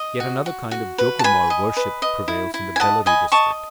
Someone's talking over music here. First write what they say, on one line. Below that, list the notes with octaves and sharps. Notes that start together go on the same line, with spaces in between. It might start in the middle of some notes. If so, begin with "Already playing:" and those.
Yet another kind of Jokumara worship prevails in the Bellary district.
Already playing: D#5
F#4
F#4
F#4
B4
A5
B4 G#5 B5
D#5
B4
D#5
E4
E4
G#5
D#5 F#5 A5
D#5 G#5 B5
D#5 A5 C#6